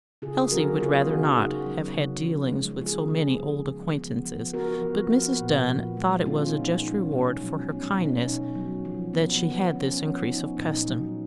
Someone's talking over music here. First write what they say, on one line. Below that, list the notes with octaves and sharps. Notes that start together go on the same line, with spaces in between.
Elsie would rather not have had dealings with so many old acquaintances, but Mrs. Dunn thought it was a just reward for her kindness that she had this increase of custom.
C#3 F4 G#4
F#3 F#4 A#4
B3 F4 G#4
C#3 D#4 F#4
C#3
F#3
C#3
F3
G#3
B3 F4 G#4
C#3
F3
F3
B3
F3
B3 F#4 A#4
F3
B3
A#2
F3
G#3
B3 C#4 F4
D#4
A#2
D#4
F3
C#4
B2 D#4
F#3 C#4
B3 C#4
B2 D#4
C#4
D#4
B2
F#3
F3
B3
F3
B3 C#4
F3 C#4
B3 D#4
A#2 D#4
F#3